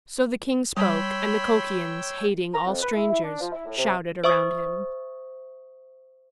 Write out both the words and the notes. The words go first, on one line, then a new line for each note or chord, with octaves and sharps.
So the king spoke, and the Colchians, hating all strangers, shouted around him.
G3 C#5 G5 B5 C6 E6
A#5
F2
B4
E4
E4
D4
F3
E4
A2
C3
C5 E5 C#6 D#6